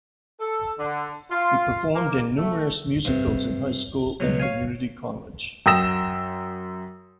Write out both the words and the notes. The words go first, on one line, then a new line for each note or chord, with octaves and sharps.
He performed in numerous musicals in high school and community college.
A4
D3
F4
A#3
A3
G2 C3
C#2 B2 F#3
C#5 F5 G#5
F#2 G5 D#6 E6 A#6 E7